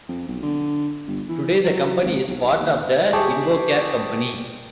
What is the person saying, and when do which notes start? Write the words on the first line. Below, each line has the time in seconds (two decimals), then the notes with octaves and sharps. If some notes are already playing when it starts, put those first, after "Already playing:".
Today the company is part of the InvoCare company.
0.09 F2
0.28 B1
0.43 D3
1.08 G1
1.29 E3
1.64 F#3
2.02 G#1
2.28 B1
2.60 D#2
3.13 G4 G#4 A5 C#6 D6